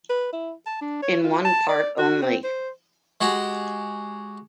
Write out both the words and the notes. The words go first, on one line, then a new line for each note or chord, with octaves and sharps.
In one part only.
B4
E4
A5
D4
C#5
F4
A5
D5
F#4
C4
C5
G#3 F#4 G4